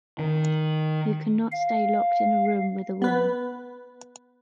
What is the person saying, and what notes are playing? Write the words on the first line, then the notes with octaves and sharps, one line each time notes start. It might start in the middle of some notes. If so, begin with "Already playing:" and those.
You can not stay locked in a room with a woman.
D#3
F5
B3 B4